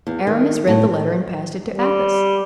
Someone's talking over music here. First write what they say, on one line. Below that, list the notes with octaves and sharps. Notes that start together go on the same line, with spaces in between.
Aramis read the letter, and passed it to Athos.
E2
D#3
A2
G3